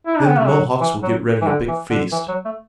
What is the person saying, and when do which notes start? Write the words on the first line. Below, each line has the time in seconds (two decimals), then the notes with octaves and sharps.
Then the Mohawks will get ready a big feast.
0.07 E4
0.17 D4
0.27 B3
0.38 A3
0.48 F#3
0.81 E3
1.03 F#3
1.42 E3
1.47 D3
1.68 E3
1.90 D3
2.12 E3
2.28 F#3
2.45 A3